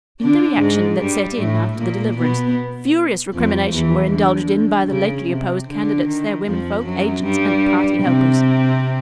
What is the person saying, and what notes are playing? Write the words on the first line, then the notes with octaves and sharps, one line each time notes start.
In the reaction that set in after the deliverance furious recrimination were indulged in by the lately opposed candidates, their women folk, agents, and party helpers.
D3 D4
G#2 G#3
G2 G3
A2 A3
A#2 A#3
B2 B3
F2 F3
E2 E3
D3
C#3
C3
D3
D#3
F2 F3
F#2 F#3
G2 G3
C3 C4